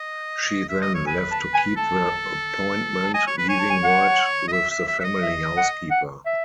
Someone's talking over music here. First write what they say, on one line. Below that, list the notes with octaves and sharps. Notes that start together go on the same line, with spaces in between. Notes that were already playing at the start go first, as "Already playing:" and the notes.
She then left to keep the appointment, leaving word with the family housekeeper.
Already playing: D#5
E5
D#5
C#5
B4 G#5
A5
G#5
A4 A5
A5
D#5 G#5
C#5
B4
C#5 G#5
A5
G#5
F#5
D#5
E5
E5
E5
E5
D#5
E5
F#5
F#5
E5